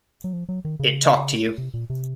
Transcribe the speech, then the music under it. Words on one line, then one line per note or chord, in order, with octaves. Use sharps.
It talked to you.
F#3
F3
F#3
D#3
C#3
C3
A#2
C3